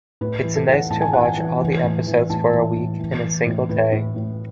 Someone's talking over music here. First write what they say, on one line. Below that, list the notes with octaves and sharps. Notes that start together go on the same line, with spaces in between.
It's nice to watch all the episodes for a week in a single day.
A2 B4
E3
A4
E3
F#5
A2 A5
G#5
E3 F#5
G#5
E3
E3
A2
E3
A2 A5
E3
A2
E3
E3
A2
A2 B4
A2
A2